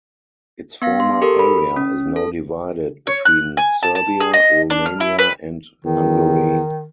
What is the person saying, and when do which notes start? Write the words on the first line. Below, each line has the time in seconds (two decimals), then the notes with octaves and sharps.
Its former area is now divided between Serbia, Romania and Hungary.
0.82 B3 F5 A#6
1.00 C6
1.22 G4 A4 A#4
1.39 B5
1.76 C#4
2.16 A4
3.07 C#5
3.25 F#6
3.57 G#5
3.83 A5
3.95 A5
4.20 G#4
4.33 D#5
4.70 D4
4.86 F6
5.00 E4
5.19 B4
5.85 E2 D#3